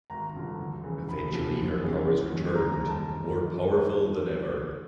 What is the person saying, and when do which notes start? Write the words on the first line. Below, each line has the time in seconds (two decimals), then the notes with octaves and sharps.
Eventually her powers returned, more powerful than ever.
0.10 G#1 A#5
0.34 G2 D3 F3
0.59 D2
0.84 C#3 E3
1.08 F1 B5
1.33 E2 C3 F3
1.58 F#1
1.82 E2 C#3
2.06 G1
2.30 F#2 D#3 G3
2.55 D#2 A#5
2.72 A#5
2.80 D#3 G3
2.89 A5